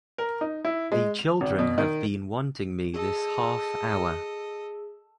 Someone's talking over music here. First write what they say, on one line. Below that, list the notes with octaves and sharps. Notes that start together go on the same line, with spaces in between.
The children have been wanting me this half hour.
A#4
D#4
E4
G#3
F7
G#1
B2
D#3
G#4 A4 D#5 E6